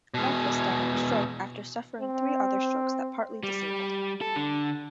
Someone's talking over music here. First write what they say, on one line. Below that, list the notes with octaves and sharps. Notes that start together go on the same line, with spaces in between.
Marquis died of a stroke after suffering three other strokes that partly disabled him.
B2 G#3
C4
G3
A4
D3